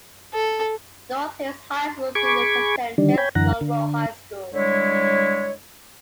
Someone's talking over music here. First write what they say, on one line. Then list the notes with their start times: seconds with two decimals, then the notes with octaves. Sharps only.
North Hills high school students attend James Monroe High School.
0.33 A4
2.15 G#4 B5 C#6 D6 G#6
2.98 D3 D#3 G3 D4
3.18 C#5 G5 G#5 B5
3.35 F#2 D3 E3 F#5 A#5
3.61 D3
4.54 D3 G3 G#3 E4 C#5